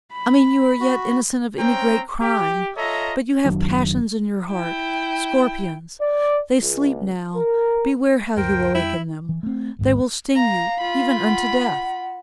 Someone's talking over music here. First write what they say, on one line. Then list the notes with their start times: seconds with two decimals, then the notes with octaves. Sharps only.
I mean you are yet innocent of any great crime!--But you have passions in your heart,--scorpions; they sleep now--beware how you awaken them!--they will sting you, even unto death!'
0.12 B5
0.80 F#4
1.58 C4 C#4 C5 G5 A#5
2.20 G4
2.76 F4 A4 C#5 D#5 E5 A#5
3.45 F#1 D#3 F#3 D4
4.50 E4 G5
6.00 D5
6.60 C#2
7.34 A#4
8.37 C#2 F#2 A#4 C5 G5
8.74 F2 G3 E4 G5 E6
9.29 E3
9.43 A3 C4
9.79 D1 G#1 G#2 D#3
10.36 F5 A#5
10.81 F4 B5
11.24 F#5